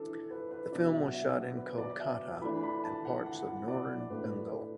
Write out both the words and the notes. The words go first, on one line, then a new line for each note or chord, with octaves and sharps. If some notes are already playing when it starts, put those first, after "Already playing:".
The film was shot in Kolkata and parts of North Bengal.
Already playing: E3 D4 A4
B4
B4
B2 F#3 D4 D5
E5
F#5
E5
B4
D5
E5
E3 A3 D4 B5
B5
A5
F#5
F#5
F#5
F#5
D5
A2 A3 D4 B4
A4